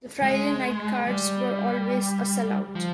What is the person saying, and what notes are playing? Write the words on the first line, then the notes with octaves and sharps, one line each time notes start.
The Friday night cards were always a sellout.
G#3
G3
F3